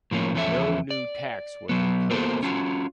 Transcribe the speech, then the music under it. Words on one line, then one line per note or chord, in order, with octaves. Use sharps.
No new tax was imposed.
A2 F3 A#3 C#4
E2 F3 C#4 D4 A4 E5
D5
F#3 B3
A#3 B3 F#4 A4 A#4 C5
C#4 F4 F#4